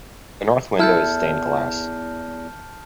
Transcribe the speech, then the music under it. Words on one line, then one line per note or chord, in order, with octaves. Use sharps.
The north window is stained glass.
E2 E4 A4 A5 F6 G6